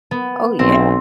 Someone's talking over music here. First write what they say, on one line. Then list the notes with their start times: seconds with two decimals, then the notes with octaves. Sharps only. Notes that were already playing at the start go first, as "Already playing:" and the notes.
Oh, yeah.
0.11 B3
0.59 B1 C4